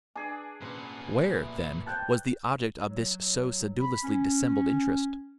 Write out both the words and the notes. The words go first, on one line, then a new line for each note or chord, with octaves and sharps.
Where, then, was the object of this so sedulously dissembled interest?
D4 G#4 B4 G#5
A#2 B3 C#4 B4 C5
A4 E5
C5 G5 A5 F#6 A6
F#3
B5
C#4